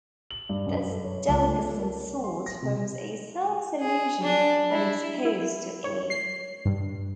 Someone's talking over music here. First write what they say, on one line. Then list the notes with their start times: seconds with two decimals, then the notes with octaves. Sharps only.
This deliquescent salt forms a self solution when exposed to air.
0.31 F#7
0.49 G2
0.66 F#2
0.91 A4
1.04 C#5
1.28 C#2
1.48 A3
1.79 A#4
2.00 C#5
2.24 C6
2.46 A#6
2.62 C3
3.80 G#4
4.23 D4
4.71 E4
5.25 E4
5.84 C#5
6.10 C7
6.65 G2